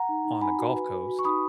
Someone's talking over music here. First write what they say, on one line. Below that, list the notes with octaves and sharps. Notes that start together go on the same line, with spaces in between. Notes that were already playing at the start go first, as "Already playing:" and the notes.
on the Gulf Coast,
Already playing: F#5 A#5
D#4
D#4
D#4 G#5 B5
F#4
B4
F#4
F#4
C#6
D#4 B5 D#6